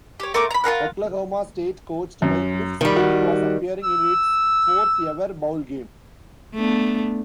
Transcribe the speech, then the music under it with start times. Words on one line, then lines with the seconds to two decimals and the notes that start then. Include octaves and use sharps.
Oklahoma State, coached by Cliff Speegle, was appearing in its fourth ever bowl game.
0.20 G4 C#5
0.34 A3 A#4 C6 D6
0.51 A#5 B5
0.64 F4 G#4 A#4 F#5
2.22 F#2
2.81 D#3 G3
2.96 F#4
3.84 E6
6.55 A3 B3 D4